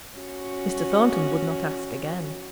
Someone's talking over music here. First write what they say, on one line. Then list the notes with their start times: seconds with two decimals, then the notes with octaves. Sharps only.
Mr. Thornton would not ask again.
0.18 C#4 F#4